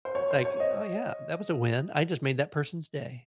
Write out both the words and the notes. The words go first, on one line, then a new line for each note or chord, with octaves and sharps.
It's like, "Oh yeah, that was a win, I just made that person's day."
C5
C#5
C5
C#5
D#5